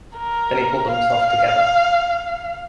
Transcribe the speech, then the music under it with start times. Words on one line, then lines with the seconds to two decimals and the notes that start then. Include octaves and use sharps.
Then he pulled himself together.
0.16 A#4
0.91 F5